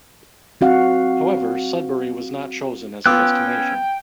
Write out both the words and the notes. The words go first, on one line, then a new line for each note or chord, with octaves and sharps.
However, Sudbury was not chosen as a destination.
C4 F#4 F5 F#5
B3 C#4 F4 G5 D6 E6 F#6